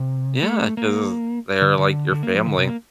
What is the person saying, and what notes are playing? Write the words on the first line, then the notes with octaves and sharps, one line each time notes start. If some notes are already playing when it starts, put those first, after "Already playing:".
Yeah 'cause they're like your family,
Already playing: C3
A3
A#3
D3
D3
D3
A#3
F3
D3
C3
A#3